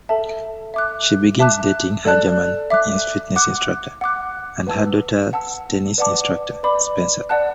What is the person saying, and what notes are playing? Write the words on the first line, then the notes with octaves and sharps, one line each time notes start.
She begins dating her German fitness instructor, and her daughter's tennis instructor, Spencer.
A4 E5 A5
E5 D6 F#6
E5 A5 D6 F#6
A4 D5 A5 F#6
E5 D6 F#6
F#5 D6 F#6
F#5 D6 F#6
B4 F#5 A5 E6
F#5 A5 E6
B4 D5 F#5 A5 D6
B4 D5 B5 D6
D5 F#5 A5 F#6